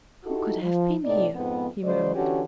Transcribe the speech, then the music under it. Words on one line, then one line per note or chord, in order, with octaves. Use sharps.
"Who could have been here?" he murmured.
D#4 E4 F#4 G4 A4
F3
A2 C3 D#4 D5
F2 G#2 B3
C#3 F#3 G#3 C5 D5
D3 E3 C#4 F#4 G4